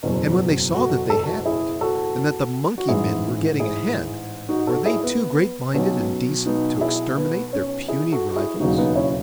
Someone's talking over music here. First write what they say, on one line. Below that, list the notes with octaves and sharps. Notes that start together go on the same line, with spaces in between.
And when they saw that they hadn't, and that the monkey-men were getting ahead, were they too great-minded and decent to exterminate their puny rivals?
F#1 E2 B2 F#3
F#4 A4
A4
F#4 A4
E4 G#4
F#4 A4
F#4
A1 G#2 E3 E4 G#4
E4 G#4
D#4 F#4
F#4 A4
E4 G#4
B3
B1 B2 F#3 C#4
B3 D#4
E4 G#4
B3
C#4
E4 G#4
F#4 A4
F#4
E4 G#4
E1 D#2 C#3 F#3 D#4 F#4
B3 D#4
C#4 E4